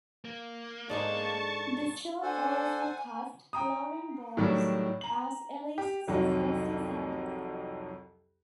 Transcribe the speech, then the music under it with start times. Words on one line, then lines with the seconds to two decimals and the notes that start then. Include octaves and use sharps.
The show also cast Lauren Bowles as Ellie's sister Susan.
0.25 A#3
0.90 G#2 G#3 D4 D#4 G#4 A4 A5 C#6
2.22 D4 A4 C5 F#5 G#5
3.53 G5 A#5 D#6
4.37 A2 D#3 F#3 G3
5.01 A#5 F#7
5.78 G4
6.08 C2 F2 D#3 F#3